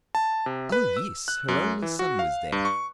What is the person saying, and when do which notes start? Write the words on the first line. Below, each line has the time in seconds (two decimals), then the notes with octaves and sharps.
Oh! yes: her only son was there.
0.15 A5
0.46 C3
0.72 B4
0.97 E6
1.28 F#6
1.48 F#2
1.82 E3
1.99 F#4
2.19 F5
2.52 G2
2.65 C#6